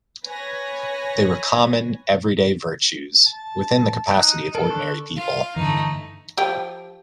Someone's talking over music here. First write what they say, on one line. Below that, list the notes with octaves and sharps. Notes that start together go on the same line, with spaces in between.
They were common, everyday virtues, within the capacity of ordinary people.
B4 C#5 G#5 A#6
A5
D#4 F#6
A4 A#4 A5
D3 C#6 F#6
F4 F5
G2 D3 E3 A3 D#4
F3 G4 G5